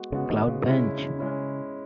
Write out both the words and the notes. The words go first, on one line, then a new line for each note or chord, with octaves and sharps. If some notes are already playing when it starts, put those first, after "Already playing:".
Cloud bench.
Already playing: G#3 B3 F#4
C#3 G#3 B3 F#4
D#3
C#3
G#3 C#4 E4
G#3 C#4 E4